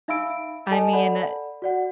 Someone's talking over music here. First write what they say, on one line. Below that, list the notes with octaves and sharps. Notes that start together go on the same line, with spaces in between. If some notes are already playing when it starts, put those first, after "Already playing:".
I mean, uh,
D#4 E5 F5 B5 E6 D7
A4 D#5 G#5 A5
A4 D5 F#5 B5
F#4 D5 F#5